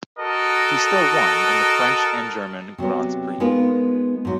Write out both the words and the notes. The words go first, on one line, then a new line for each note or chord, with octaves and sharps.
He still won in the French and German Grands Prix.
F#4 A4 A#4 D#5
C3 F#3 G3 B3
G#3 B3 D#4 F4 A#4 B4
G#2 F#3